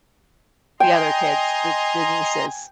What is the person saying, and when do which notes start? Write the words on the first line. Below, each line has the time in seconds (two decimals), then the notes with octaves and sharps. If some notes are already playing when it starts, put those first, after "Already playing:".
the other kids, the the nieces.
0.80 D#5 G5 G#5 A#5 C6